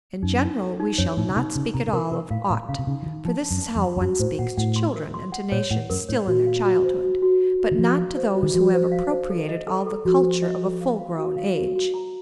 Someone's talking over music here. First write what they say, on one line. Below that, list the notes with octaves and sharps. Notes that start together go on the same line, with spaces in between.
In general, we shall not speak at all of "ought," for this is how one speaks to children and to nations still in their childhood, but not to those who have appropriated all the culture of a full-grown age.
F#2 D#4
D#4
A4
D#4
F#2 C#5
A2 D#4
C#3
C3 D#4
C#3 D#4
C3 A#5
C#3
C3 A#4
C3 A#4
A2 F5
A2 F5
C#3 F5
C3
C#3 D#4
F3
D#3 D#4
F3 A5
A5
F#2
A5
F2
A5
F2
F#2 F#4
A2 C5
A#2 F#5
A2 F#5
C6
A#4
C6
F#5
A#2 C#5
A2 F#5
F#2 A#4
A2 C#5
A#2 F#4
F5
F#4
C5
F#4
F#4
F#4
F#4
D#3
F3 F#4
F5
C5
F#4
D#3
F3 F#4
C5
F5
C5
A4
D#5
A4
A4
F3 F#4
C5
D#5
A4
F5
F5
F#4
F5
F#4
F#4
A#5